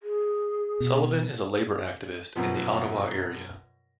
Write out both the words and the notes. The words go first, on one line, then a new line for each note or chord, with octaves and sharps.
Sullivan is a labour activist in the Ottawa area.
G#4
B2
F#2 B2 F3